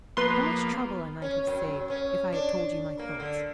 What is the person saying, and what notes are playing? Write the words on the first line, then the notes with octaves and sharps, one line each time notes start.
How much trouble I might have saved if I had told you my thoughts!
F3 A#3 B3 B4 C6
C#4
F#2
C#4
D4
A#3
D3